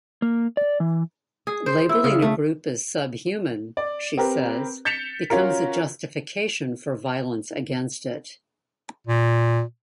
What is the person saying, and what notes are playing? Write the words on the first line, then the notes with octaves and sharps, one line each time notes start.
Labeling a group as subhuman, she says, becomes a justification for violence against it.
A#3
D5
E3
G#4
C5
E4
C#3
A3
D5
C4 G4 A#4 B4
G6 A6 B6 C#7 E7 F7
C#4 F4 F#4 A#4
A#2